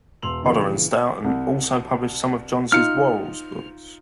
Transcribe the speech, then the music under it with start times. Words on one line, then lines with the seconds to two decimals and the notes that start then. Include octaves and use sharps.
Hodder and Stoughton also published some of Johns' Worrals books.
0.22 E1 C6 E6 F7 F#7
0.42 A#1 C#3 E3
1.24 C2
2.72 D#4 F4 F6 C#7